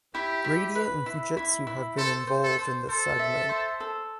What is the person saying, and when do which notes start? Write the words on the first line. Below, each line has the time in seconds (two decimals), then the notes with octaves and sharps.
Radiant and Fujitsu have been involved in this segment.
0.15 E4 G4
0.44 E4
0.75 B4
1.06 E4
1.37 E4
1.67 E4
1.97 A4 C5
2.27 C5
2.44 A4
2.59 C5
2.88 A4 C5
3.19 E5
3.49 C5
3.80 A4